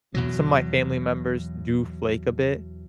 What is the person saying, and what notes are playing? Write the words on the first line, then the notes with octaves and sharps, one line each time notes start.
m some of my family members do flake a bit,
E2 B2 F#3